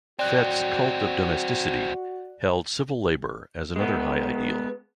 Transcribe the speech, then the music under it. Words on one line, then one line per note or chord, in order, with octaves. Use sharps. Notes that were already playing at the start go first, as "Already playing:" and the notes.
Fet's 'cult of domesticity' held 'civil labour' as another high ideal.
F#3 C4 F#4 D5 F#6
G#3 B3